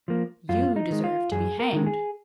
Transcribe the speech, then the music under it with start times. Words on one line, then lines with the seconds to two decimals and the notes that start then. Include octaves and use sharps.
You deserve to be hanged.
0.08 F3 A#3
0.49 F#2 F4
0.76 D#4
0.90 D#3 G#3
1.04 F4
1.32 F#2 G#4
1.59 A#4
1.73 D#3 G#3
1.86 G#4